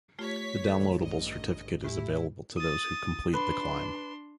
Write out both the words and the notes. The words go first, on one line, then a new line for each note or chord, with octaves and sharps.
A downloadable certificate is available to those who complete the climb.
A3 F4 G4 C#5 B6
D#3 A4
A1 G2 D#5
A2 G#3 E4 G4
D#6 A6
D4 B4 C6